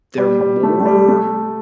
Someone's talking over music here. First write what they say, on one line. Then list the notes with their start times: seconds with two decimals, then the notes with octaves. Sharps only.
they're more
0.18 G3
0.41 G3
0.63 A3
0.80 A3
0.85 G3
1.08 A3